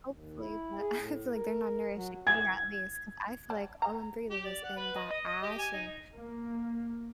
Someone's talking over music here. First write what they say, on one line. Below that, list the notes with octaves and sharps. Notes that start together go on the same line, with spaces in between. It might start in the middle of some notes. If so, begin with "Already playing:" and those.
Hopefully, but I feel, like, they're not nourishing me at least, 'cause I feel, like, all I'm breathing is in that ash and
D#2
E4
G#4
A2
A#4
F#3
E3 F#4 G#4 G#6
D5 A5
A#5
G4
D5
F#5
B4
D#5
D#5
D#5
G4
G#5
D#4
A#3